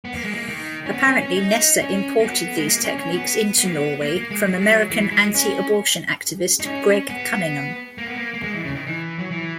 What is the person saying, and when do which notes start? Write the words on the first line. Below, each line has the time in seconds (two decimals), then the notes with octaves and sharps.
Apparently, Nessa imported these techniques into Norway from American antiabortion activist Gregg Cunningham.
0.05 B3
0.14 A#3
0.25 G#3
0.35 A#3
0.48 D#3
0.86 C#4
0.93 B3
1.07 C#4
1.21 C#4
1.37 D#4
1.81 C#4
2.20 A#3
2.25 B3
2.57 G#3
2.68 A#3
2.84 C#4
2.98 C#4
3.13 B3
3.58 B3
3.65 A#3
3.72 B3
4.01 A#3
4.16 A#3
4.31 G#3
4.46 F#3
4.59 G#3
4.70 F#3
4.90 E3
5.11 G#3
5.34 C#4
6.60 D#4
6.66 C#4
7.09 B3
7.98 A#3
8.07 B3
8.16 A#3
8.34 A#3
8.43 G#3
8.54 E3
8.65 C#3
8.75 D#3
8.87 E3
9.19 F#3
9.31 E3